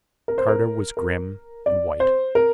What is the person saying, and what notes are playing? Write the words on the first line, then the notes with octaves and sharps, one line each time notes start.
Carter was grim and white.
A#4
C5
A#4
A#4
D5
C5
A#4